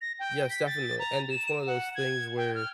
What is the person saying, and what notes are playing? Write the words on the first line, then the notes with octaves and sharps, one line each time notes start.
Yes, definitely, and it's one of those things where,
A#6
G5
B6
A6
A#5
E7
E7
F#5
G#6
G5
F6